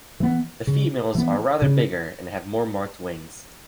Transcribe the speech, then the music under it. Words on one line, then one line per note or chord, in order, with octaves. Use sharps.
The females are rather bigger and have more marked wings.
E3 B3
C#3
E3 B3
C#3